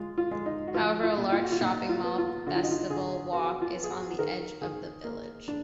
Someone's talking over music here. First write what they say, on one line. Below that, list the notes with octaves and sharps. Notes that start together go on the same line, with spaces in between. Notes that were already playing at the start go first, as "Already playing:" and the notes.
However a large shopping mall, Festival Walk, is on the edge of the village.
Already playing: G#3 F4
F4
G#3
D#4
F#4
F3 F4
F4
A#2
F4
F#4
F4
A#2 D#4
F4
B3
F4
D3 F#4
F4
D#4
F4
D3 G#4
B3 F#4
F4
B3
G#4
F#4
D#3 A#4
D#3 G#4
A#3
D4